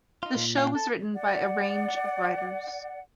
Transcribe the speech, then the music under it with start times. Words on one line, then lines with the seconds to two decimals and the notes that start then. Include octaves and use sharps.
The show was written by a range of writers.
0.23 D#4 F4
0.34 A#2
0.57 D4 F5 G5
0.75 A4 A5
1.14 D5 F#5